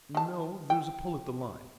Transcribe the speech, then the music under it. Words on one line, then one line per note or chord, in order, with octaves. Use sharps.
No, there's a pull at the line.
D#3 A5
G5